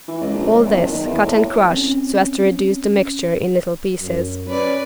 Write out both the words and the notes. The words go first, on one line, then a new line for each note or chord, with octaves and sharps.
All this cut and crush so as to reduce the mixture in little pieces.
E3
C#2
A#1
C#2
E2
F#1
D#3
E2
A2
C4 C#4
F#2
C#4 B4 D5